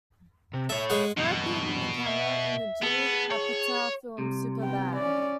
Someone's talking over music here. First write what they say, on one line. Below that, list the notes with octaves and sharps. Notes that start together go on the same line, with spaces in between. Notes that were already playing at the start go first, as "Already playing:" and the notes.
Snow appeared in a cameo in the Judd Apatow film "Superbad".
C3
A4 C#5 E5
G#3 G#4 F#5
E2 G2 B2
E5
B3 G#4 A5
C#5
C2 C3
B3 G5
C#4 D5